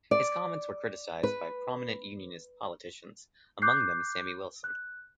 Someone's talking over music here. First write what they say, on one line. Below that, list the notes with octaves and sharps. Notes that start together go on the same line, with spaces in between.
His comments were criticised by prominent Unionist politicians, among them Sammy Wilson.
D5
B4
D6 F#6 G6 C7
F#6